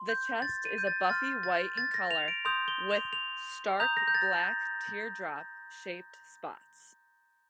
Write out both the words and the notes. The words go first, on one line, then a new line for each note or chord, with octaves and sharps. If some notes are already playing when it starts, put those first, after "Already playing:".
The chest is a buffy-white in color with stark black teardrop shaped spots.
Already playing: C6
G6
A6
D#7
G6
A6
C6 F6 A6
A6
A6
A#6
F7
D7
C6 D#6 G6 F7
G7
F7
F7
A#5 D#6 G6 F7
A#6
G6
A6